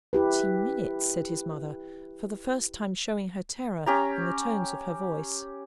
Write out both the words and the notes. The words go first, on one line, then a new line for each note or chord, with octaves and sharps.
'Twenty minutes!' said his mother, for the first time showing her terror in the tones of her voice.
E4 G4 B4
C#4 G4 A#5